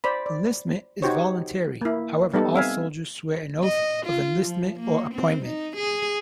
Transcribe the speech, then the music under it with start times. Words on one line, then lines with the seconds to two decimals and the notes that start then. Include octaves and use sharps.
Enlistment is voluntary, however all soldiers swear an oath of enlistment or appointment.
0.04 C5 D5 B5
0.26 D5
1.02 D#4 F#4 G4 C5 C#5
1.81 A#3 E4
2.34 G3 B3 D#4 A4
2.54 C4 E5 F5 G#5
3.63 D#5
4.06 F4
4.41 F3
4.80 A#3
5.14 C4
5.45 D#4
5.77 G#4